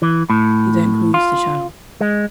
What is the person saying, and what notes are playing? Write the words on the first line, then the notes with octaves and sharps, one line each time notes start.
He then cruised the Channel.
E3
A2
F4
G#3